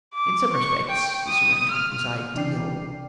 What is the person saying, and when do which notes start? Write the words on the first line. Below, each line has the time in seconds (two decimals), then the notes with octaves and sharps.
In some respects this arrangement was ideal.
0.14 D6
0.52 C#6
0.89 G5
1.27 D#6
1.70 F6
2.35 C3 E3 D4 D5 G5 C7